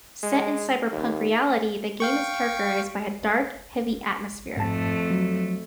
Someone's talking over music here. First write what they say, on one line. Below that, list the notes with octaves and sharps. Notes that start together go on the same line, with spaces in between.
Set in a cyberpunk reality, the game is characterized by a dark, heavy atmosphere.
G#3
D#2
F5 G5 C#6
F2 G#2 A3 A5
F#3